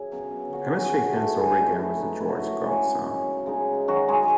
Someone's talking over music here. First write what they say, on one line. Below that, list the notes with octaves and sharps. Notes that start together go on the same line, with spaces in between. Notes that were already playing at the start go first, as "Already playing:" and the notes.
I must shake hands over again with George's godson.
Already playing: F#2 G#4 E5 G#5
C#3 F#3 B3
F#2 F#4 F#5
G#4 G#5
E3 A3 F#4 F#5
A3 A4
F#2 G#3 G#4
A3 A4
E3 A3 E4
D#4
F#2 E4
F#4
E4
C#3 G#3 D#4
F#2
C#3 G#3 D#4
D#3 F#3 F#4
G#3 G#4